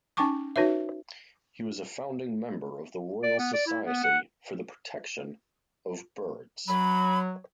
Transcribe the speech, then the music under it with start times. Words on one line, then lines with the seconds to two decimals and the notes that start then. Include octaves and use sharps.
He was a founding member of the Royal Society for the Protection of Birds.
0.17 C#4 D#4 G5 A5 C#6 D6
0.56 D#4 F#4 B4 C#5 E5
3.23 D5
3.39 B3
3.53 D5
3.67 E4
3.85 B3
4.04 F#5
6.68 F#3 B5